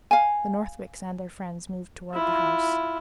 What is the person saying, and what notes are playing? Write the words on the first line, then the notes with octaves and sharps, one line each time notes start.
The Northwicks and their friends moved toward the house.
F5 G#5
E4 F4